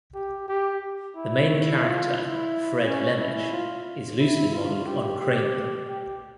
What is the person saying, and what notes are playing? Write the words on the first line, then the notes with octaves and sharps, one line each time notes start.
The main character, Fred Lemish, is loosely modeled on Kramer.
G4
G4
E4
E4
F4
E4
C#4
E4
F4
E4
F4
G4
G4
G4